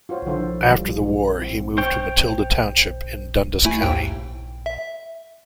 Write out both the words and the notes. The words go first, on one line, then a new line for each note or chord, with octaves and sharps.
After the war, he moved to Matilda Township in Dundas County.
F4 F#4 C5 C#5
D3 D#3 F3 E4 A4 C5
G3 F4
C4 E4
C5 C#5 G5
A3 E4 G#5
D#2 G#2 G5
E5